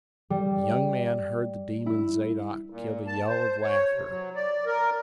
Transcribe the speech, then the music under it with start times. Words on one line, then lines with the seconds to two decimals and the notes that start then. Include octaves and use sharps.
The young man heard the Demon Zadok give a yell of laughter.
0.30 G3
1.86 E4
2.70 A#2
3.07 A5
3.27 C5
3.62 C#5
3.92 C3
4.09 F#3
4.35 D5
4.66 A#4